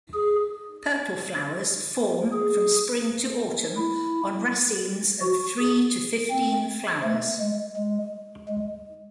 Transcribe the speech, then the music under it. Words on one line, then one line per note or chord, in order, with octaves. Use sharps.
Purple flowers form from spring to autumn on racemes of three to fifteen flowers.
G#4
G#4
E4
F#4
G#4
C4
A3
G#3
G#3
G#3